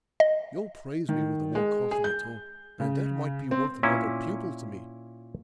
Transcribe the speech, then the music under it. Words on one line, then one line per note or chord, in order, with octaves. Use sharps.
You'll praise me with a more confident tone, and that might be worth another pupil to me.
D#5
D#3
G#3
G#4
G6
C#3
C4
A#2 C#4 E4